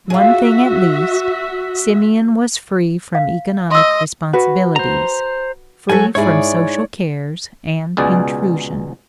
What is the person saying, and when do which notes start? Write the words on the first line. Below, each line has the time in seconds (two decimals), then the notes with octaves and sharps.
One thing at least, Simeon was free from economic responsibilities, free from social cares and intrusion.
0.10 F4 F#4 G#4 E5
3.15 F5
3.71 D#5 C6 E6
4.33 F#4 B4
4.76 C5 A#5
5.90 F#3 A4 C#5 G#5
6.15 G#2 E4 G#4 C#5 D5
7.97 C#2 B2 G#4 D5